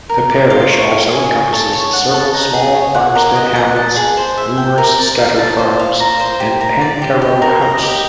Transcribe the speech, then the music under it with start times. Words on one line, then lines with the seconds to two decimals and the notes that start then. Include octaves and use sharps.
The parish also encompasses several small farmstead hamlets, numerous scattered farms and Pencarrow House.
0.09 A#4
0.31 D5
0.50 F4
0.71 C#5
0.91 F5
1.12 G#5
1.32 C#6
1.53 A4
1.73 C#5
1.93 F#5
2.14 A4
2.34 D#4
2.54 G#4
2.74 C#5
2.94 F#5
3.15 A#4
3.36 D#5
3.56 F#5
3.76 A5
3.96 G#4
4.17 C5
4.37 E5
4.57 G5
4.78 A#4
4.98 D5
5.18 F5
5.38 A5
5.59 C5
5.79 F5
6.00 A#5
6.19 C5
6.40 G4
6.61 A#4
6.81 D5
7.02 G4
7.22 G4
7.42 A#4
7.62 D#5
7.82 G4